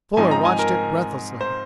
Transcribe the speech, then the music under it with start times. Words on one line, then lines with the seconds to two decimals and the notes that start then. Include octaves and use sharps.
Fuller watched it breathlessly.
0.17 G#2 F3 C4 D#4 G#5
0.31 A#5
0.45 G#5
0.59 A#4
1.41 C5